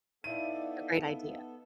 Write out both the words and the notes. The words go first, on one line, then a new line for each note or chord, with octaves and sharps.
a great idea.
B3 D#4 E4 A4 D5 D#5 F5 D#7